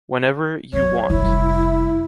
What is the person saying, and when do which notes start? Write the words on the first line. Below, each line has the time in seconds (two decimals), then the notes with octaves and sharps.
Whenever you want.
0.73 F#3 C#5
1.10 F1 G3 E4